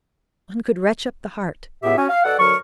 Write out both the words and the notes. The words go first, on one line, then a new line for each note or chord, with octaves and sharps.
One could retch up the heart...
C#2 A2 B3 G4 E5
C#4 F#4 G#5
F5
B2 A4 D5 F#5
D2 F#3 A#4 C#6